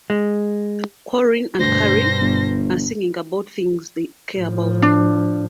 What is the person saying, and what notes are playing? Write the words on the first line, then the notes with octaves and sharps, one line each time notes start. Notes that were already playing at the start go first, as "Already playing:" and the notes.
Corin and Carrie are singing about things they care about.
G#3
D2 G2 B2 C5 A#6
G1
A2 F3
D4